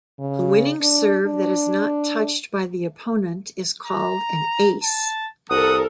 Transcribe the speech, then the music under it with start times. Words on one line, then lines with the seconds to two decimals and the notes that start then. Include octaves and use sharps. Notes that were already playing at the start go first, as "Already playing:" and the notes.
A winning serve that is not touched by the opponent is called an "ace".
0.19 C#3
0.81 D4
1.26 D4
3.86 A#5
4.83 A5
5.51 C2 A4 A#4 F#5 D#6